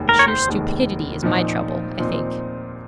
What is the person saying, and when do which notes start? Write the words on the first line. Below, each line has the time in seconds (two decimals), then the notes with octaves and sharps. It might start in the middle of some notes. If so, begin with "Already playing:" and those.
Sheer stupidity is my trouble, I think.'
Already playing: F1 D#2 D#3 G#3
0.09 A#4
0.19 C#5
0.28 C5
0.47 F1 D#2 D#3 G#3
1.23 A#2 F3 C4 D#4
1.99 A#2 F3 C4 D#4